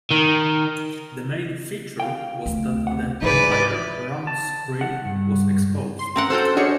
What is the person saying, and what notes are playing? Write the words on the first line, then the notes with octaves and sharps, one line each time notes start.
The main feature was that the entire round screen was exposed.
D#3
F5 G5
D2
C3 F#5
G#2 D#3 D#4 E4 G#4 B4 D5
A5
F#5
G2
C6
C4 C#4 A#4 F#5
F#4 A4 C5 E6 G6
D4 F#4 G#4 C#5 D#5 C#7